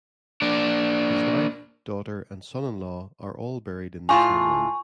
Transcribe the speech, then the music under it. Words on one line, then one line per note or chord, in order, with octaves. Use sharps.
His wife, daughter, and son-in-law are all buried in the same room.
A#3 D4
A2 F4 G#5 A5 C#6